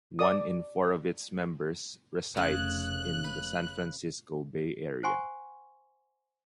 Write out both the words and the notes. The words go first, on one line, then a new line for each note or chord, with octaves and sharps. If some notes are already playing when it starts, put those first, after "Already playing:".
One in four of its members resides in the San Francisco Bay Area.
D5 D#6
F1 C#3 F#6
B4
C5 F#5 G#5 C6 C#6